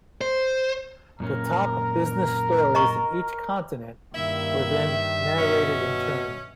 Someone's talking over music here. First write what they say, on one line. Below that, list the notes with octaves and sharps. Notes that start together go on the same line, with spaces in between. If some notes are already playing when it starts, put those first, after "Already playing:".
The top business stories in each continent were then narrated in turn.
C5
F#2 A#2 C#4 A#4
D#5 A#5 C#6
G2 D#3 A#3 E4 E5
B2 C#4